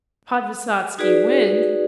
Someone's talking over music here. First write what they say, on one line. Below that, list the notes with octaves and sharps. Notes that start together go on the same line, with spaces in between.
Podvysotsky wins.
D#4 F#4 G#4 B4 D5